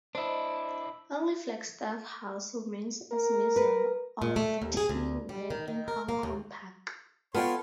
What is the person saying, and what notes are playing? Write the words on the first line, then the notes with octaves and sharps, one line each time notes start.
Only Flagstaff House remains as Museum of Tea Ware in Hong Kong Park.
D4 E4 C5 D#5
A#4
B4
A#2
A3
D#2
G#4
D2
G3
D#3
D#3
A#4
A#3
D#2
B3 F4 A4 C#5 D5 G5 C6